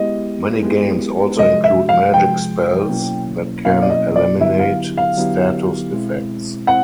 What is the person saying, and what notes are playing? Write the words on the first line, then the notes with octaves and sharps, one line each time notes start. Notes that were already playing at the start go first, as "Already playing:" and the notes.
Many games also include magic spells that can eliminate status effects.
Already playing: G#3 B3 E4 G4 D#5
G#3 B3 E4 G4
C3 F3 G#3 D#5
E5
F5
C3 F3 G#3 G5
B2 F#3 A#3 C#4 E4
B2 F#3 A#3 C#4 E4 F5
D5
D#5
D5
D3 F#3 B3 E4 G4 E5
F5
F5
D3 F#3 B3 E4 G4
B2 G#3 C4 E4
C4 E4 F#5